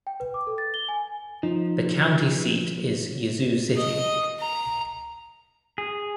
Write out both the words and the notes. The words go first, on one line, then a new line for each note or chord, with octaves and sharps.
The county seat is Yazoo City.
G5
B4
D6
A4
A6
G7
G#5
F3 D#4
D#5
A#5
G#4